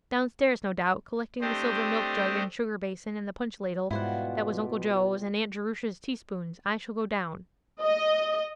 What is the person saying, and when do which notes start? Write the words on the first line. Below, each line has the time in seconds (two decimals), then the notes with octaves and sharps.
'Downstairs, no doubt, collecting the silver milk-jug and sugar-basin and the punch-ladle that was Uncle Joe's, and Aunt Jerusha's teaspoons. I shall go down.'
1.41 A3 C4 D4 G4 C5 D#5
3.91 G#2 B2 G3 E4 F4 C5 D5 F#5
7.81 D#5